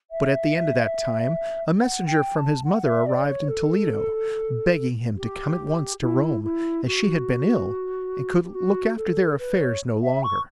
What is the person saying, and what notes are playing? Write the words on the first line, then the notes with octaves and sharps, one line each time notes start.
But at the end of that time a messenger from his mother arrived in Toledo, begging him to come at once to Rome, as she had been ill, and could look after their affairs no longer.
E5
F#5
G5
A5
F#5
E5
D5
C#5
A4
G4
E4
E4
F#4
G4
F#4
A4
B4
C#5
E5
C#6